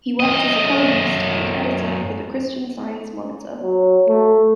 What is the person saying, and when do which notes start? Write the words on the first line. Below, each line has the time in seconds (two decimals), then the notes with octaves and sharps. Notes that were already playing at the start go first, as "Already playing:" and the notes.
He worked as a columnist and editor for "The Christian Science Monitor".
0.20 F#2 D#5
3.63 F#3
4.08 A3